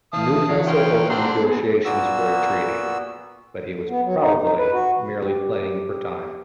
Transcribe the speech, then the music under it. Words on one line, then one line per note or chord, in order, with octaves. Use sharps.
Newcastle opened negotiations for a treaty, but he was probably merely playing for time.
E3 F5 A5 D#6
E3 F#3
C#4 F4 G5
C4 D4 C5 F#5 A#5 C6
B3 G#4
A#2 A#3 B3 F#4 E6
B3
F#3
D#4
D#4
B4
F#4
G4